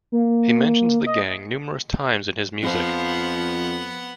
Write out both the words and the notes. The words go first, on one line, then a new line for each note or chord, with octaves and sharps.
He mentions the gang numerous times in his music.
A#3
D#5
F2 F3 B3 F#5